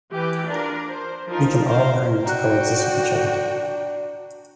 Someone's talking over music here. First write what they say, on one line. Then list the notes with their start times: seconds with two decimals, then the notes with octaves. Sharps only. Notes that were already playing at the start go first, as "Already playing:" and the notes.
We can all learn to coexist with each other.
0.10 E3 G4 B4
0.45 D4 F4 A#4
0.88 C5
1.26 F3 D#4 F4 A#4
1.65 A#4 C5 F5
2.26 D4 F#4 G5 A#5 F#6